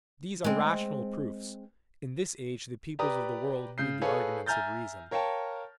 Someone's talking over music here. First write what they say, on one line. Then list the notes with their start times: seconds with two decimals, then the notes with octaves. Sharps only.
These are rational proofs; in this age the peoples of the world need the arguments of reason.
0.44 G#3 C4
2.99 G4 B4 D5 A#5 D#6
3.78 C#3 G6 C7
4.02 G#4 A4 B4 C#5 F5
4.46 E5 G#5 A#5 F6 G6 A6
5.11 A#4 C#5 F5 G5 A5